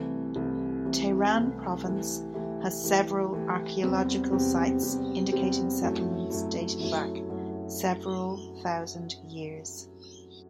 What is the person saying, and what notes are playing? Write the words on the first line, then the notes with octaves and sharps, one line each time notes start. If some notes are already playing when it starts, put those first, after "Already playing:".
Tehran Province has several archaeological sites indicating settlements dating back several thousand years.
Already playing: C2 C3 E3 A3
C2 C3 E3 A3
C2 C3 E3 A3
C2 C3 E3 A3
E3 A3 E4 G4
E3 A3 E4 G4
E3 A3 E4 G4
E3 A3 E4 G4
E2 C3 G3 C4 G4
E2 C3 G3 C4 G4
E2 C3 G3 C4 G4
E2 C3 G3 C4 G4
F#2 F#3 A3 E4
F#2 F#3 A3 E4
F#2 F#3 A3 E4
F#2 F#3 A3 E4